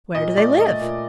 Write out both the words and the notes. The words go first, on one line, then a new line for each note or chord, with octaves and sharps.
"Where do they live?"
A#2 D#5
A3 D5
A3 D#5
A#2